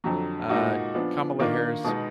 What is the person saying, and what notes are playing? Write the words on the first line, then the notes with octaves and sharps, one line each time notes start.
uh, Kamala Harris,
F2 D3 F#3
A#2 G#3 D#4 F#4
F3 B3 D4
D#3 A#3 D4 F4
B2 G#3 B3 D#4